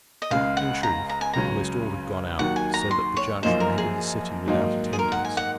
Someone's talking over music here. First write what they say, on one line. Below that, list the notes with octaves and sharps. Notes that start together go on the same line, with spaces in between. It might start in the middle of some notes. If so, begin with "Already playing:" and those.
In truth, almost all had gone out, so that the judge remained in the city without attendance.
D#5
C#2 C#3 G#3 F5
F#5
A#5
A#5
G#5
C#2 C#3 F#3 C#4 A#5
D#2 D#3 F#3 F#5
G#5
A#5
C6
C#5
F#2 F3 A#3 D#4 C5
A#4
G#4
G#2 D#3 F#3 A#3 D#4
G#4
A#4
F#5
G#5
F#5